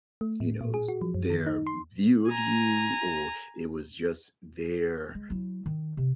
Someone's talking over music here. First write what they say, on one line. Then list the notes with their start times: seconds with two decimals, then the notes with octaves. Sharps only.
you knows, their view of you? Or it was just their,
0.21 A3
0.40 A2
0.61 A#2
0.74 G#4
0.88 F#4
1.01 F3
1.14 F#2
1.30 D#3
1.47 D#4
1.67 C6
2.29 G#5 A#5
5.15 G#3
5.30 F#3 E4
5.66 D#3
5.97 C3